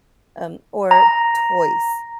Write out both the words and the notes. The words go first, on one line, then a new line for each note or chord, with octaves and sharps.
um, or toys
A#5